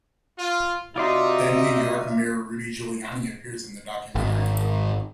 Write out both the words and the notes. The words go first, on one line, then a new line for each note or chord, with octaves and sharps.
Then-New York Mayor Rudy Giuliani appears in the documentary.
F4
C3 D#4 F4 F#4 D5 E5 C6
G#1